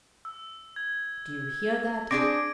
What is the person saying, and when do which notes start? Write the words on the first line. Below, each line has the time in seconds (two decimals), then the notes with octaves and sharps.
Do you hear that?
0.25 E6
0.76 G#6
2.11 C4 D4 G#4 D6 A#6 D7